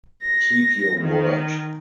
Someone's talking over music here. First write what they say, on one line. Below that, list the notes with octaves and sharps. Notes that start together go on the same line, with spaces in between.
Keep your word.
A#6
D#3